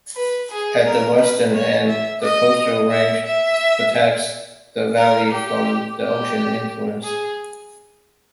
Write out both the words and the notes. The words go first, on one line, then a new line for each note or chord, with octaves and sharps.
At the western end, the coastal range protects the valley from the ocean influence.
B4
G#4
A#4
B4
C#5
E5
D#5
E5
E5
A#4
G4
G4
G#4